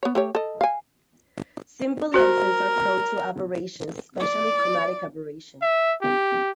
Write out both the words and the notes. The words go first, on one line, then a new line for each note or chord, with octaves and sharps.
Simple lenses are prone to aberrations, especially chromatic aberration.
B3 C#5
A3 G4 C#5
A4 D#5
F5 G#5
F#4 A#4 C5
D5
E5
G4